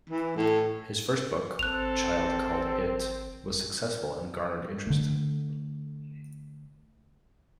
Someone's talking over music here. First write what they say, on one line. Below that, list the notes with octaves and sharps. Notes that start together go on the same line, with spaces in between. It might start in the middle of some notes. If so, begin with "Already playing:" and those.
His first book, "A Child Called It", was successful and garnered interest.
E3
A2
G#1 C4 A4 F#6 F7
D3 A3